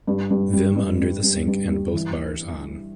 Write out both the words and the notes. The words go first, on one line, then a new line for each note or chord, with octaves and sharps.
Vim under the sink and both bars on.
G2
G2
G3
G2
G2
G2
G2
G3
E3